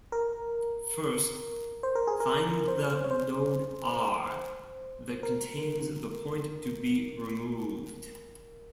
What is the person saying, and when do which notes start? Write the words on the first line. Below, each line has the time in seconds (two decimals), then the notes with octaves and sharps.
First, find the node R that contains the point to be removed.
0.12 A#4
1.83 C5
1.95 A#4
2.07 G#4
2.20 A#4
2.68 C5
3.04 C#5
3.11 C5
5.23 A#4